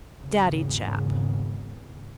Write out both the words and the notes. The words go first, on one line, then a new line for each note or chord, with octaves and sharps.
Daddy Jap.
G#1 E2 C#3